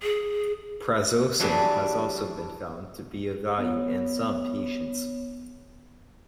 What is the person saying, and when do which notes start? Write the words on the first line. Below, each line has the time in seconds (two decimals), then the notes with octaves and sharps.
Prazosin has also been found to be of value in some patients.
0.03 G#4
1.40 E3 F#3 G3 D4 G4 G#4
3.58 B3 C#5